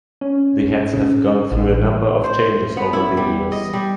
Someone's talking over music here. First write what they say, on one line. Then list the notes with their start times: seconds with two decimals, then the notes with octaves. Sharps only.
The heads have gone through a number of changes over the years.
0.21 C#4
0.93 C#3
1.51 A1
2.24 C5
2.77 B3
2.93 E4
3.17 G3
3.52 D#5
3.73 G3